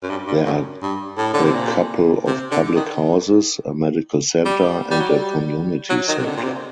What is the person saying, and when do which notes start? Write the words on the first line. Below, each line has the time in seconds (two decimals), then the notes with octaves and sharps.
There are a couple of public houses, a medical centre and a community centre.
0.03 F#2
0.10 G2
0.27 G2
0.46 F#2
0.82 G2
1.18 A2
1.34 D3
1.44 C3
1.55 A#2
2.26 C3
2.51 D3
2.76 D#3
4.45 G3
4.91 G3
5.00 F#3
5.10 G3
5.89 F#3
6.08 D#3
6.18 C3
6.26 D3
6.36 A#2
6.43 C3